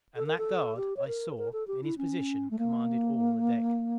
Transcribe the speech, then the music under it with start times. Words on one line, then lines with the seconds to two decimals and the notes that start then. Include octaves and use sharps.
And that guard, I saw, in his position, commanded all the deck.
0.16 A4
0.26 A#4
0.38 A4
0.76 G4
0.97 C#5
1.07 A#4
1.38 A#4
1.53 A4
1.68 G4
1.84 E4
1.98 C#4
2.51 A3
2.59 A#3